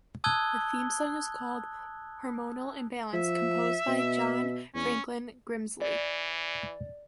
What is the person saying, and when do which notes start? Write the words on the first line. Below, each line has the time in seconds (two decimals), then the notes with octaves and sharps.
The theme song is called "Hormonal Imbalance" composed by John Franklin Grimsley.
0.24 A5 D#6 E6 F#6 G#6 G7
3.13 F3 E5
3.88 B2
4.75 E2 C#4
5.82 E3 D5